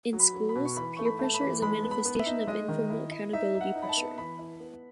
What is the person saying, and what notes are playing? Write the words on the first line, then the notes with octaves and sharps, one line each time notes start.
In schools, peer pressure is a manifestation of informal accountability pressure.
F#3
B5
F#3
B5
B2
C#6
E3 B5
A3 C#6
B5
A3 A5
B5
E3
G#3 B5
B3
B5
B3
E5
D#4
G#3 D#5
D#3
E4
E4
D#4 E5
D#4
F#5
D#4
B5
A5
B3
E3 B5
E4
B3